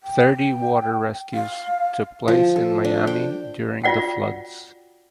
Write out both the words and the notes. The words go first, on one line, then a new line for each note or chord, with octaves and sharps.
Thirty water rescues took place in Miami during the floods.
G5
F5
F3
A4
D4
G5
F4 F#4 D5 F#5 G5